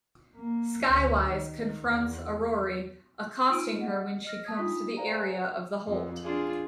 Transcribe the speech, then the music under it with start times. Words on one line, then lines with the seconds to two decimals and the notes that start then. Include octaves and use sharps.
Skywise confronts Aroree, accosting her when she comes to the area of the holt.
0.36 A#3
0.85 D2
1.30 D#3
1.83 E2
3.49 D#4 F4 F6 D7 D#7
3.78 G#4 D#5 F#5
4.25 D#5 F6 A#6
4.45 A5 D#6 G#6
4.57 D4 D#4 F4 C#6 D#6 B6
4.97 C5 D5 F5 G#5 A#5
5.87 F2
6.23 D4 F4 G#4